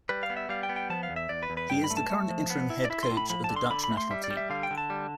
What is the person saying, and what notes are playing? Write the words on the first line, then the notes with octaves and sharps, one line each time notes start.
He is the current interim head coach of the Dutch national team.
G3 B4
F5
B3
E5
G3 F5
G5
B3
G5
F3 A5
F5
E2
E5
E2 D5
B4
E2
B4
G2 G5
B5
A3
A5
A3
F3
B3
E4
D5
E4 E5
C6
A2
B5
F3 B5
A5
D3
C6
D3 B5
B5
A3
C6
G3 E5
D5
G3
E5
D3 F5
G5
D3
A5
G3